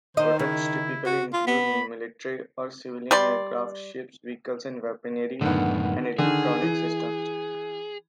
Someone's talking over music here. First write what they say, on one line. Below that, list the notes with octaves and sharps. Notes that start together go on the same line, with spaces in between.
Products typically include military or civilian aircraft, ships, vehicles, weaponry, "and" electronic systems.
D#3 C5 D#5
C#3 E4
F#4
F4
B3 B5
G3 D5 C6
F#2 A2 D3 D#3 B3
D3 D#3 G#4
E3